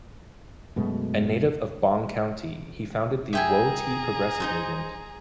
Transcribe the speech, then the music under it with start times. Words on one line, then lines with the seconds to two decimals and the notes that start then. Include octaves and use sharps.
A native of Bong County, he founded the Woah-Tee Progressive Movement.
0.76 F#2 B2 G#3 A3
3.33 G#4 E5 G5 G#5 A#5
4.40 D#4 F#4 C5